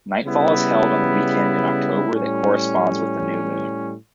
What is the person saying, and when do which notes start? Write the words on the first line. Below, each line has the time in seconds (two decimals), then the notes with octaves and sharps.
Nightfall is held on the weekend in October that corresponds with the new moon.
0.23 C#3 G3 B3 E4
2.09 A2 G3 C#4